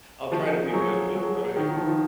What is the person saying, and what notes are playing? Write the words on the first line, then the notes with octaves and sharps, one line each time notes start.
I'll try to be good though. Go ahead.
G#4
F3 F#4
G#4
A#4
G#4
F#3
F#3
G#4
D#3 F#4
D#3 F4
F3 D#4
F3 D#4